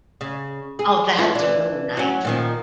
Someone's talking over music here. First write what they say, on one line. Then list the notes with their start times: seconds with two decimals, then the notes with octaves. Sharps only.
Oh, that's really nice.
0.21 C#3
0.79 G#4
1.18 E3 C#4 F4
1.35 E3 D4
1.97 F#3 C#4
2.25 A#2 D#3 F3